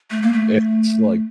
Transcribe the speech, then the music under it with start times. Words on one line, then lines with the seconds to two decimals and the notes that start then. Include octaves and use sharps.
It's like,
0.11 A3
0.22 A#3
0.33 A3